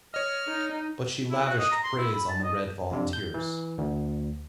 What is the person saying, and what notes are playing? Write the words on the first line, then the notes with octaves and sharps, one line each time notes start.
But she lavished praise on the Red Volunteers.
C#5 D#5 F6
D#4
E4
F#4
D#5
A#5
C6
E4
B5
A5
D#5
F2 C3 D4
G6
E3
D2